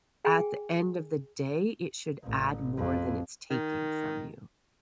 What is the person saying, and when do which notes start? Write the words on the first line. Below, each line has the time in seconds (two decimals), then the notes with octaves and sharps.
at the end of the day, it should add more than it's taking from you.
0.25 G#4 G5 G#5
2.23 A1
2.77 F2
3.50 D#3